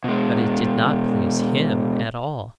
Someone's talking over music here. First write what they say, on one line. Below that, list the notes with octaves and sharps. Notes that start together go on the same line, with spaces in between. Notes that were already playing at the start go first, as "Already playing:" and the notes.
But it did not please HIM at all.
B2 G#3